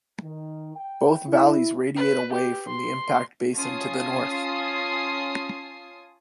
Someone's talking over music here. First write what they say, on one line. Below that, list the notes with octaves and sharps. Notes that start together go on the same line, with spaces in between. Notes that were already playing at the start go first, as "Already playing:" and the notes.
Both valleys radiate away from the impact basin to the north.
D#3
G5
E4
B4
G4
C6
C#4 F4 A5 D#6 G#6 C7